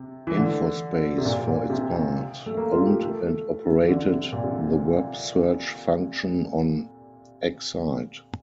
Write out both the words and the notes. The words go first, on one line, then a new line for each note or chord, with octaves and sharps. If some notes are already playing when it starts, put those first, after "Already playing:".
Infospace, for its part, owned and operated the web search function on Excite.
Already playing: C3
E3
D3
C3
A#2
A#2
C3
A3
A#3
F4
G4
A3
E3
D3
C3
A#2
C3